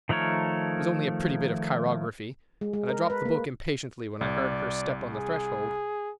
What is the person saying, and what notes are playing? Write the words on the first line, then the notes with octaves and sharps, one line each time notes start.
It was only a pretty bit of chirography, and I dropped the book impatiently when I heard her step on the threshold.
D#3 F3 A3 A#4 C#5
G#3
G#3
A#4
B4
A#3
C2 D5
G#4